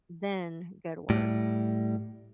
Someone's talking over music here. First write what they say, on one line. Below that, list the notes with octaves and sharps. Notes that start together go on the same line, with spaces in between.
then go to work,
A2 G3